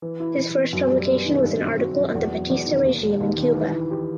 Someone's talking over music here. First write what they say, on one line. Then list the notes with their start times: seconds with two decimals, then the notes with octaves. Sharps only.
His first publication was an article on the Batista regime in Cuba.
0.02 E3
0.20 E4
0.38 E3
0.55 B3
0.73 F#2
0.91 G3
1.08 B3
1.26 D#3
1.43 G2
1.61 C4
1.79 F#4
1.97 F#3
2.15 E2
2.32 F#3
2.50 E2
2.66 D#3
2.85 D#2
3.02 G3
3.20 D#2
3.38 D#3
3.55 E3
3.73 E4
3.91 G4